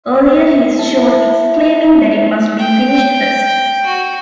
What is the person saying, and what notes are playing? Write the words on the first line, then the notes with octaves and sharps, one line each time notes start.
Earlier he is shown exclaiming that it must be finished first!
E4 A5
G5
F#4